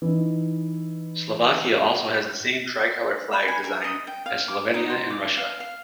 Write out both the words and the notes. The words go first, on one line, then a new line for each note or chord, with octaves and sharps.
Slovakia also has the same tricolor flag design as Slovenia and Russia.
E3 D#4
B5
G#5
A#4
D#5
G5
F5
D6
D#4
C5
D6
F5
F5